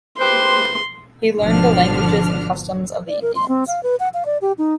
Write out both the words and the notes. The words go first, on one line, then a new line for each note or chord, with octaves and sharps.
He learned the languages and customs of the Indians.
G4 B4 C5 C6
G#1 B2 D3 F3 D4 F6
D5
A#4
C6
C4
F5
B4
F#5
F5
D5
G4
D#4